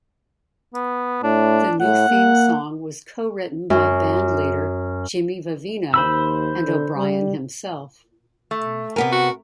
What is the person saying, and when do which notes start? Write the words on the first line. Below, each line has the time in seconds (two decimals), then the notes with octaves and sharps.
The new theme song was co-written by bandleader Jimmy Vivino, and O'Brien himself.
0.74 B3
1.23 A2 D4
1.81 A2 F#5
2.09 A#3
3.70 F#2
5.94 D#2 C5 B5 E6
6.65 D3
6.96 G3
8.51 A3
8.96 C3 B3 A#4 G#5
9.12 F#4